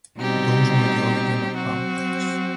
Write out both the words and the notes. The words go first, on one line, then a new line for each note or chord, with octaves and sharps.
Those were the origin of vampires.
B2 G3 C4 D#4 G4
F#3 C4 F#4